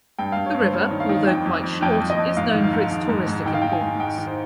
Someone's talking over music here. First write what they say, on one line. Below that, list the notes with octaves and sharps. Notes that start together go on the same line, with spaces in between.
The river although quite short is known for its touristic importance.
G2 G5
G2 F5
C#5
G2
C5
G2 C#5
D#3
F5
D#3
F2 G5
F2
F2
F2 G5
F2
D#5
F2
G#2 F5
D#3
F5
G#2
G#2
G#2
G#2
D#3 G5
F5
D#3 G5
G#5
G#2
G#2 G5
D#3
C5